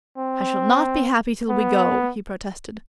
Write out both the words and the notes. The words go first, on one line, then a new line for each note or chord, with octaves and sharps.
"I shall not be happy till we go!" he protested.
C4
B3